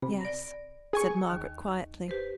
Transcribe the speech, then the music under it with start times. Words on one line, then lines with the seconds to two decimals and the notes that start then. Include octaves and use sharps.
'Yes!' said Margaret, quietly.
0.02 C3 B5
0.21 D5 A#6
0.93 G#4 G#5 C#6
1.30 D#2 D#3
2.08 G4 B4 C5